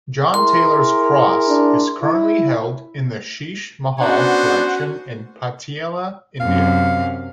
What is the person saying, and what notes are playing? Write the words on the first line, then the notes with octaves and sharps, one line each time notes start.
John Taylor's Cross is currently held in the Sheesh Mahal Collection in Patiala, India.
E4 G#4 A#4 C6
D4
E4
B3 C#4 D4 F#4 C5 F#5
F#2 C3 F5